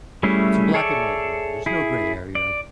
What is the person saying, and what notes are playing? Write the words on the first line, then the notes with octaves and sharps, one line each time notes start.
it's a black and white world, there's no gray area,
G3 A3 C#4 E4 G#4
G#4 A4 C#5 D5 E5
E4 G#4
D5